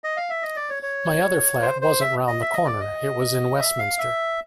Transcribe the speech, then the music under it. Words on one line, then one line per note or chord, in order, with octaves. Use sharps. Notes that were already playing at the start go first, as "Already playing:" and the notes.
My other flat wasn't round the corner, it was in Westminster.
D#5
F5
E5
D#5
D5
C#5
C#5
C5
C5
E5
D#5
E5
D#5
D5
D#5
E5
F5
E5